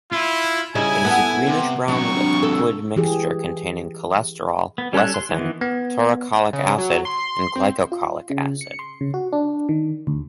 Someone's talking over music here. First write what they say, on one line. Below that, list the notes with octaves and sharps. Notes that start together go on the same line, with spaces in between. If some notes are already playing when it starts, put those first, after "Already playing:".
It is a greenish-brown liquid mixture containing cholesterol, lecithin, taurocholic acid, and glycocholic acid.
E4 F4
C#3 G3 D#4 E4 E5 G#5
B3 A4
C3
C3 F#3 D4 C#6
A4
E3 G4 G#4
B3
G3 C#4 A4 F#6
C6
D#3 E3 B3
B3
C#3
F#3
C6
C4
F4
C#3
C#7
C6
C#3
F#4
D4
D#3
D2